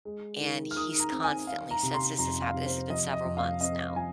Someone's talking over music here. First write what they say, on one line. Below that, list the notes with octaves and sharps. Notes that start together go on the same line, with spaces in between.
and he's constantly since this has happened this has been several months now,
G#3
D#3
F6
D#3 D#6
A#5
C4
G#5
D#3 F5
A#5
C3
A#5
C6
F2 A#5
F5
C3
C5
F3 D#5
D#5
F2
F5
C4 D#5
F3 G#5